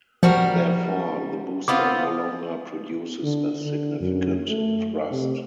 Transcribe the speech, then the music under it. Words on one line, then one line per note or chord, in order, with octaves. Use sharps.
Therefore, the booster no longer produces a significant thrust.
F3 G3 F#4 A#4
B3 C4 F4 D6
D3
D3
F#2
A3
C3